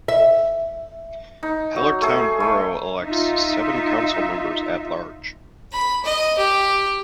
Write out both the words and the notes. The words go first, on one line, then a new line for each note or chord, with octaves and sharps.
Hellertown Borough elects seven council members at large.
E5
D#4
F#3
A3 G#4
A3
D#4 F4 E5
B5
D#5
G4